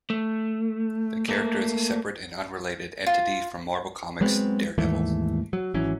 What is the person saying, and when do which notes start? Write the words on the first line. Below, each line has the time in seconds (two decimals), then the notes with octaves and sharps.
The character is a separate and unrelated entity from Marvel Comics' Daredevil.
0.10 A3
1.29 A3 A#3
3.06 F4
4.21 F#3 G#3 B3 C4
4.78 D#2 G#2 E3 A3
5.53 F#3
5.74 G#1 E3 F#3 C#4